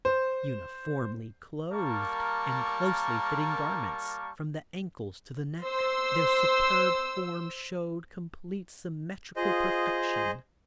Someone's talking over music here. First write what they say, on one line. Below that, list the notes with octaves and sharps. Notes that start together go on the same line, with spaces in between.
Uniformly clothed in closely fitting garments from the ankles to the neck, their superb forms showed complete symmetrical perfection.
C5
G3 A#3 A#4 A5 C#6
C5 E6
F4 G#4 C5 D#5